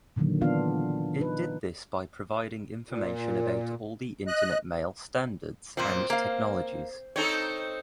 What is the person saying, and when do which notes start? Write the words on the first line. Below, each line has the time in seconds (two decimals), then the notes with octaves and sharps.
It did this by providing information about all the Internet mail standards and technologies.
0.16 A#2 D3 D#3 F#3 A#3
0.41 E3 B3 D4 F4 F5
1.20 D#4 B4
2.89 A#2
4.27 D#5 F#6
5.77 F2 A#2 F3 C4
6.10 A#3 F5
7.16 C4 D#4 A4 C#5